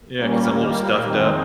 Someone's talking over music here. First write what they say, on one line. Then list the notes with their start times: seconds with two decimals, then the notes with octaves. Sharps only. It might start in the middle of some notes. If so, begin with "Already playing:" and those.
Yeah, 'cause I'm a little stuffed up.
0.17 A#2 G3 A#3 C#4
0.47 D#2 D#3 G3 A#3
0.76 A#2 G3 A#3
1.05 F2 D#3 G#3 C4 D#4